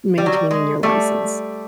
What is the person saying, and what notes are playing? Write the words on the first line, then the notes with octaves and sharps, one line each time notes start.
maintaining your license.
G3
F#3
G3
G#3
G3 A3